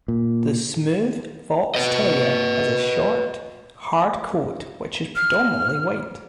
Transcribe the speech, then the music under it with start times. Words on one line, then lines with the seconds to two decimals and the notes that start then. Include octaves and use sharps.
The Smooth Fox Terrier has a short, hard coat which is predominantly white.
0.08 A#2
1.75 B4 D#5
5.16 F6